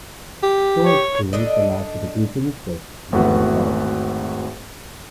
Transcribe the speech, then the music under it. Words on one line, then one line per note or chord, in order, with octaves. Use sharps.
Storage pools allow for the grouping of disks within a file system.
G4
C#5
D4 A4 D#5
G#1 E2 A3 F#4 B4 F#5